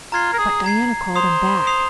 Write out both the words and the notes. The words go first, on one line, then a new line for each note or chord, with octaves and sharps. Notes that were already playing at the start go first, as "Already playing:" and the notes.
But Diana called him back.
F4 A#5 G#6 C7
A#4
G#4
A#5 G#6 C7
C5 D#6 C7 F7
D#6 C7 F7